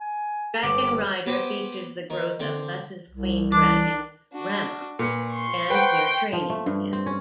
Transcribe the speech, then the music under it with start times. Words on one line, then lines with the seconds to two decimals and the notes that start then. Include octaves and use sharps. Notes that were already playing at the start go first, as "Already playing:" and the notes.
"Dragonrider" features the growth of Lessa's queen dragon, Ramoth, and their training together.
0.01 G#5
0.63 G1 D6
1.26 B3 G4 B4 C5 G5 G#5
2.10 D#3
2.40 D3 C4
3.10 C2
3.52 E3 D4 D6
4.33 D4 F#4
4.99 A#2 B4 C#7
5.32 C6 C#6
5.70 B4 C5 F#5 G5
6.33 F3
6.50 A3
6.66 G2
6.93 C4
7.06 C#4